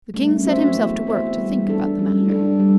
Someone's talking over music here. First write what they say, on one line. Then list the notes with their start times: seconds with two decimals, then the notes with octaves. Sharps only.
The King set himself to work to think about the matter.
0.14 G2 A3
0.35 F#2
0.45 C4 F#4 C5 E5
0.55 F#2
0.70 F#2
0.76 E2 A3
1.07 C4 F#4 C5 E5
1.37 G3
1.68 D4 A4
1.98 F#2 G3
2.22 A2
2.29 G2 D4 A4
2.60 G3